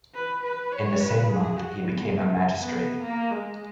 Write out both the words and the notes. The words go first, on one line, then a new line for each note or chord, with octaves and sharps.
In the same month he became a magistrate.
B4
B4
C#5
B4
G#4
F#4
B3
B3
A#3
G#3